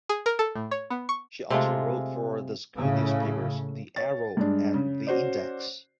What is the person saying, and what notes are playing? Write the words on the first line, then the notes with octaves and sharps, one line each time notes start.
She also wrote for the school newspapers "The Arrow" and "The Index".
G#4
A#4
A4
A2
C#5
B3
C#6
C3 G#3 A3 F4
A2 C#3
C#5 A6
G2 G#3 D4
C#3
C#4 F#4 C5 D5